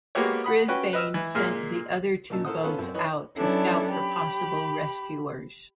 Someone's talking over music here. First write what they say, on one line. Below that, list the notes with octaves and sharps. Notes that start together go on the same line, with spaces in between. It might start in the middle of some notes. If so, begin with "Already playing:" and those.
Brisbane sent the other two boats out to scout for possible rescuers.
G#3 A#3 B3 F#4 G4 C#5
F#5 B5 D#6
C#4 F#4 B4 G5
B4 D#5 E6 F6
E3
A#2 G#3 A#3 F6
A#2 C#3 D#4 A5 E6
E4 A4 A#4 C5 F#5 D#6
B3 C#4 F4 A4 B4
F#2 C4
E3 D#4 B4 C#5 D#5
F#3 B3 C#4 D4 E4 A4
G4 B5